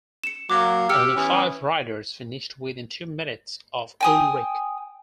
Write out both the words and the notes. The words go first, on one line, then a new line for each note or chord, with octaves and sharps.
Only five riders finished within two minutes of Ullrich.
C#7 E7
F#3 A#3 D6
G4 E6 F6 C#7
E3 B3 C#4
G5 G#5 D#6